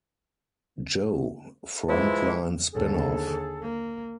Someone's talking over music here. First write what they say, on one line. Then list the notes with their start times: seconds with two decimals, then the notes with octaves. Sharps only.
Joe: Frontline spin-off.
1.89 G#2 E3 F3 G#3 E4
2.74 D#2 D3 G#4 A4
3.62 A#3